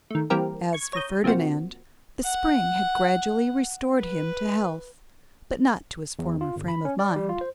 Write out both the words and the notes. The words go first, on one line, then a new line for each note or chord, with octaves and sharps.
As for Ferdinand, the spring had gradually restored him to health, but not to his former frame of mind.
D#3 A3
E3 G3 A#3 C4 G4 A#4
C#6 G#6
C#5 A#5 D#6 G6
C3 F3 A#3 C4 F#4
F#5
B4
E2
F4
G1
B5
C#4
D5
G3
F4
C5